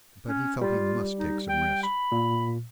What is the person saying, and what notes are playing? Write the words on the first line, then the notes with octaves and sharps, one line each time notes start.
But he felt he must take some risks.
C#4
G3 F4
D#4
G5
B5
A#2